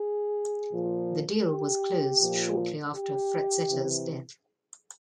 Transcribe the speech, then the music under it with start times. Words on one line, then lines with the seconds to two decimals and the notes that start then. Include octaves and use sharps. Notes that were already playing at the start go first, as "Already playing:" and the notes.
The deal was closed shortly after Frazetta's death.
Already playing: G#4
0.73 A#2 F3
1.47 G4
2.21 A#2 F3
2.94 G4
3.69 C3 E3